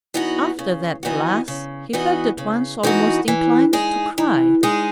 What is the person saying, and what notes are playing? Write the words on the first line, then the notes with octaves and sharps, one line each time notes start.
After that glass he felt at once almost inclined to cry.
E3 B3 D#4 F#4
C#3
E3 B3 D#4 F#4
C#3
E3 B3 D#4 F#4
C#3
E3 B3 D#4 F#4
E3
G#3 D#4 G#4
E3
G#3 D#4 G#4